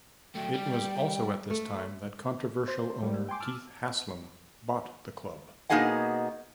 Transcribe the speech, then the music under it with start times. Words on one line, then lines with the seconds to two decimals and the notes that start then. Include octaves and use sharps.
It was also at this time that controversial owner Keith Haslam bought the club.
0.35 F#3 A3 G5
0.54 G3
1.50 A3
2.68 C5
3.03 G3 A#3
3.29 G5 G#5 C6 D6
3.40 A5 D6 E6 F6
5.70 B2 A#3 D#4 G#4 D#5 F#5